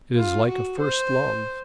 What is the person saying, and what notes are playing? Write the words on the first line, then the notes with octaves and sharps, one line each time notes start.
It is like a first love.
F4
F#4
C5